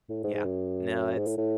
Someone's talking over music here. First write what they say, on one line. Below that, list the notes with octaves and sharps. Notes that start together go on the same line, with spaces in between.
Yeah. No, it's
A2
G#2
G#2
F#2
G#2
A2
A2